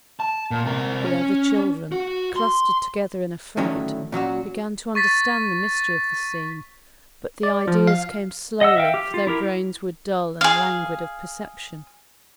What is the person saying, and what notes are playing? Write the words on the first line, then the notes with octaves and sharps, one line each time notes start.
The other children, clustered together in affright, began to understand the mystery of the scene; but the ideas came slowly, for their brains were dull and languid of perception.
A5
A#2
C3 A#4
C#4
F#4
C6
A2 D3 D#3 F#3 C#4 E4
A#2 F#3 C#4 F#4
C#6 A6 B6
D5
F3
F5
D#5 F#5 E6
E5 F5 G5
G4
F4
E4 G4 A#4
G#4 F5